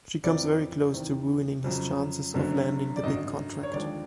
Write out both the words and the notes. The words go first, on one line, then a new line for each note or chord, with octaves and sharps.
She comes very close to ruining his chances of landing the big contract.
F2 C3 E3 D5
E2 C3 D#3
F2 C#3 F#3
F#1 F#2 D3 F#3
D5
G#1 F#2 D3 D#5
C#5
D#2 D3 F3 G#3 D5